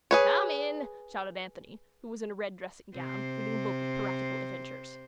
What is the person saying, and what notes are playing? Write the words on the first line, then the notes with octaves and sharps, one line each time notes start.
"Come in," shouted Anthony, who was in a red dressing-gown, reading a book of piratical adventures.
G#4 B4 C#5
C3 C5